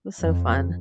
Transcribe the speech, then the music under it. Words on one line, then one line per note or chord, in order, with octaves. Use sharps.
was so fun.
F2